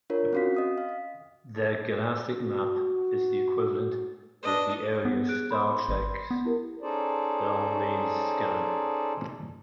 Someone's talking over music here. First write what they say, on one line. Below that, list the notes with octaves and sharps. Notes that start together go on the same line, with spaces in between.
The Galactic Map is the equivalent of the earlier "Star Trek"'s Long Range Scan.
D4 F4 A#4 C#5
C4 C#4 F#4 F5 B6
D#5 D#6 B6
F5
F#4
D4 B4 D#5
B3
G#4 F#6 D7
B5 C6
G#1
B3
E4 G4 A#4
C#4 D#4 G#4 A4 C5 D5